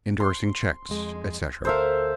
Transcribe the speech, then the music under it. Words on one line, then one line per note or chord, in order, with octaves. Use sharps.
Indorsing Checks, Etc.
C6
F2 G#3
D2 A4 A#4 C5 E5 F5